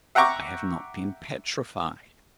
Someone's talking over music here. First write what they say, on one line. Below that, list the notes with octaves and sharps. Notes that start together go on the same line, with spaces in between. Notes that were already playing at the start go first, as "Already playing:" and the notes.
I have not been petrified.
E5 F#5 G5 A#5 C#6 D6